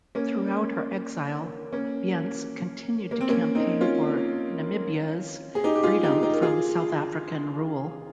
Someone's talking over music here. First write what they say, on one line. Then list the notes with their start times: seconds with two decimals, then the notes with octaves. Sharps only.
Throughout her exile, Bience continued to campaign for Namibia's freedom from South African rule.
0.15 A#3 C#4
1.73 A#3 C#4
3.11 A#3
3.21 C4
3.28 A#3 C#4
3.55 C4 D#4
3.81 C#4 F4
5.55 G#4
5.64 D#4 G4
5.75 G4
5.83 F4 G#4
6.03 D#4 G4
6.22 D#4 G4
6.33 A#4
6.42 F4 G#4